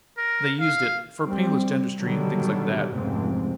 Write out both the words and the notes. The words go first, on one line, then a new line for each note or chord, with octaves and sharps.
They used it--for painless dentistry and things like that!
A#4
F5
G3 C4
B2 D3 D#3 F#3 G3
F1 C#2 G#2 C4